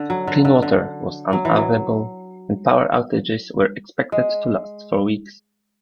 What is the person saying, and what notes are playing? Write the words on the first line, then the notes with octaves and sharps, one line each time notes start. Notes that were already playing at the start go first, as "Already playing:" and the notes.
Clean water was unavailable, and power outages were expected to last for weeks.
Already playing: D3
F#3
D3
D3
D3
F#3
E3
F#3
G#3